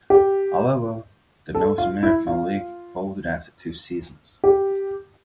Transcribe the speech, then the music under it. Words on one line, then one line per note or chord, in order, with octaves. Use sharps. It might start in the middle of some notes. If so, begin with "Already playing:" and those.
However, the North American League folded after two seasons.
G4
A4
F4
E4
F4
G4